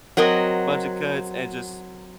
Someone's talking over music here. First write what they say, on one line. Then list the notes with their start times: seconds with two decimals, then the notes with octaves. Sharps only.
Budget cuts, and just
0.17 F#3 C4 A#4 D#5